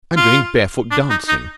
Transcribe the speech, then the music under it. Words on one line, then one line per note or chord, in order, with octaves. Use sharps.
I'm doing barefoot dancing.
F4
D4
D#4
D#4